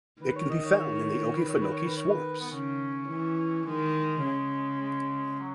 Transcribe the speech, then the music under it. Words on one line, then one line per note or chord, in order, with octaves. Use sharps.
It can be found in the Okefenokee swamps.
D#3 B4
C#5
D#5
C#5
B4
C#5
B4
C#5
B4
C#5
B4
B3
C#3 C#4
E3
D#3 G#3
C#3
G#3
F#3